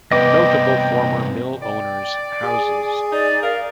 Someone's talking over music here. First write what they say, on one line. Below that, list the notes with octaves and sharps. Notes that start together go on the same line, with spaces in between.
Notable former mill owners' houses.
G2 C3 B3 D#5 G5 D6
D5 G5
G#4 G#5
D#4 D5
A#4 F5